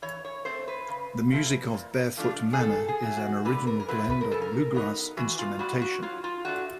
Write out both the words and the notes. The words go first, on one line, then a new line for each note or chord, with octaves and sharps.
The music of Barefoot Manner is an original blend of bluegrass instrumentation.
E3 C#5
C#5
A3 C4 C5
B4
C#3
F3 A3 C4 E4
A#2
F3 A3 D4 F4
G#4
D#3 A4
G#4
F#3 A3
F#4
D3 B4
A#4
A#4
F#3 A3 C4 E4 B4
B4
A#4
C#3 A4
A#4
F#3 B3 D#4
E3 F#4
F4
G3 B3 F#4
F#4
F#3 F4
F4
A3 D4 F4 F#4